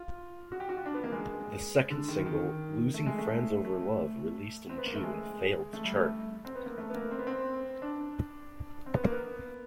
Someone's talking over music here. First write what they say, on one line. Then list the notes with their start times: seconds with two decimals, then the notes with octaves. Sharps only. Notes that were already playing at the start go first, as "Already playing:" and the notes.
The second single, "Losing Friends Over Love", released in June failed to chart.
Already playing: F4
0.52 F#4
0.60 G4
0.69 F#4
0.77 F4
0.86 D4
0.94 B3
1.04 A#3
1.12 G#3
1.90 D3
2.08 D#3
2.26 D#3
2.94 A3
3.06 G#3
3.18 A3
3.65 A3
4.70 C4
4.78 B3
4.86 A#3
4.95 A3
5.03 G#3
5.73 A3
5.84 G3
5.96 A3
6.45 C4
6.55 B3
6.66 A#3
6.78 A3
6.90 B3
6.95 A#3
7.11 C4
7.19 B3
7.27 C4
7.82 D4
8.86 C4
8.94 B3
9.04 A#3
9.12 B3